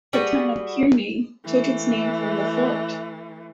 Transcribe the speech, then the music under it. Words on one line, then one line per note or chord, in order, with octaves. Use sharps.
The town of Kearney took its name from the fort.
G3 F#4 G#4 B4
E3 A3